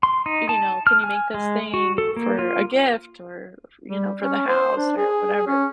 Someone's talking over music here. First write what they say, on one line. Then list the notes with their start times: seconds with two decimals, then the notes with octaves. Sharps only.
you know? Can you make this thing for a gift or, f you know, for the house or whatever."
0.03 C6
0.26 D#4
0.49 A5
0.87 F6
1.04 G#5
1.34 G#3
1.74 F#4
1.98 A4
2.16 A#3
2.39 F4
3.88 G3
4.20 C#4
4.47 C5
4.77 D4
4.97 G#4
5.47 C#4